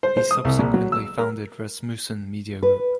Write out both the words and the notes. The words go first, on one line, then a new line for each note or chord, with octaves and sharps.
He subsequently founded Rasmussen Media Group.
C5
C5
D#6
C2
A#1
F#3
E6
A#4
B4